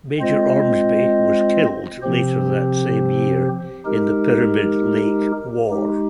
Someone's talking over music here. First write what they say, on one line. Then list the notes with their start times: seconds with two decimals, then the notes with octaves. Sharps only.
Major Ormsby was killed later that same year in the Pyramid Lake War.
0.20 G#3 C4 F4 C5 D#5
2.02 C3 F3 C4 G4 C5
3.85 G#3 D#4 G4 A#4
5.69 G#3 D#4 G4